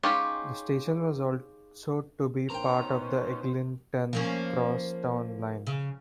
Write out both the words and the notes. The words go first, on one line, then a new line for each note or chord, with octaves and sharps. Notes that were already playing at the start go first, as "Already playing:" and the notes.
The station was also to be part of the Eglinton Crosstown line.
G#3 C#4 D#4 F4 G4
B3 C#4 D#4 A#4 C5 G5 A#5
F3 A#3 C#4
C#3